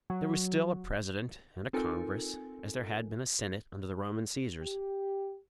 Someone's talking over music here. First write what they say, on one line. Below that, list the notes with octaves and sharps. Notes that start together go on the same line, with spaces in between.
There was still a president and a congress, as there had been a Senate under the Roman Caesars.
F#3
C4 D#4 F4 A4 A#4 G#5
G4